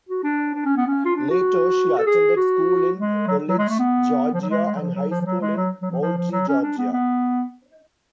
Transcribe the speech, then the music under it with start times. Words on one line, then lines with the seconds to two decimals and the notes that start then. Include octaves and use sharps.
Later, she attended school in Coolidge, Georgia, and high school in Moultrie, Georgia.
0.09 F#4
0.23 D4
0.54 D4
0.65 C#4
0.76 B3
0.87 C#4
1.05 F4
1.15 D4
1.30 F#4
1.98 A4
2.06 G#4
2.36 F#4
2.97 G#3
3.27 F#3
3.48 F#3
3.58 G#3
3.69 A3
3.79 B3
4.33 F3
4.41 F#3
4.49 G#3
4.65 G#3
4.75 F#3
4.80 F3
4.95 F#3
5.10 F3
5.21 F3
5.25 F#3
5.41 G#3
5.56 F#3
5.82 F#3
5.91 F3
6.02 F3
6.17 F3
6.31 F#3
6.48 C#4
6.62 D4
6.78 B3
6.92 B3